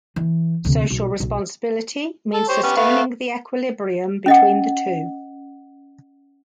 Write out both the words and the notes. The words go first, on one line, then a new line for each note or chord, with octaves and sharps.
Social responsibility means sustaining the equilibrium between the two.
E3
D2 C3
B1
B1
A4
G4 C5 C#5
B3 C#4 G4
A3 B3 F5
C#4 D#5 F#5